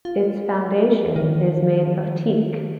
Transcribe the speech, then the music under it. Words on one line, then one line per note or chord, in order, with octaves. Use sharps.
Its foundation is made of teak.
F4
D#3